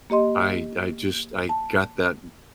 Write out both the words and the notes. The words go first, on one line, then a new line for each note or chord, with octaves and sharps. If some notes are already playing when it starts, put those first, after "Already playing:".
I I just I got that
A#3 G4 D#5 C6
A5